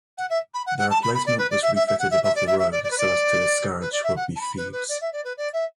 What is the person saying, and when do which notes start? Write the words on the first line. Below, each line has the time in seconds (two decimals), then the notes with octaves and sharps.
The replacement was refitted above the road so as to discourage would-be thieves.
0.17 F#5
0.29 E5
0.53 B5
0.66 F#5
0.78 F#5
0.90 A5
1.02 B5
1.14 B5
1.26 D5
1.38 B4
1.50 D5
1.62 E5
1.75 E5
1.87 E5
1.98 F#5
2.10 E5
2.23 E5
2.35 D5
2.46 E5
2.58 E5
2.71 D5
2.83 D5
2.90 B4
2.97 D5
3.80 B4
3.92 D5
4.03 E5
4.16 F#5
4.35 A5
4.40 B5
4.57 B4
4.72 B4
4.88 D5
5.01 E5
5.12 D5
5.24 B4
5.37 D5
5.53 E5